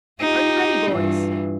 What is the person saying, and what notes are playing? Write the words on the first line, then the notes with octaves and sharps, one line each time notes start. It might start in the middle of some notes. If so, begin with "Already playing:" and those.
"Are you ready, boys?"
D#4 F4 G4
G2 E3 F4